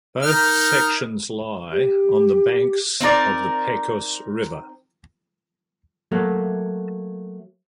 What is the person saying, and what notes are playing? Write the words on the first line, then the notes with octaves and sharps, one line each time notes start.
Both sections lie on the banks of the Pecos River.
D#4 A#4 F6
G4
C4 D#4 A#4 D5
F#3 A3 A#3